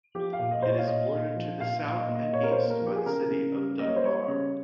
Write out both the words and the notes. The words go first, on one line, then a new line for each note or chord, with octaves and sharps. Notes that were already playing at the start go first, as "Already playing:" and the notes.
It is bordered to the south and east by the city of Dunbar.
F3 G4
F5
A#2
D#5
A#2 C5
C#5
F5
A#2 D#5
A#2
F3
A#2 F5
F5
A#2
D#5
A#3
D#5
A#2 C#5
A#4
C5
A#3
A#4
F3 G4
G#4
C#3 A#4
C#3
G3
A#3 D#5
C#5
C5
G3 C#5
C#3